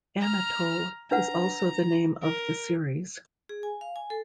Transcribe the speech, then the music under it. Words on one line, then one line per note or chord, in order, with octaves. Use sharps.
"Anatole" is also the name of the series.
A#5 F6
D4 B4 F#5 A#5
A#4
G#4
G#5
F5
G#5
A4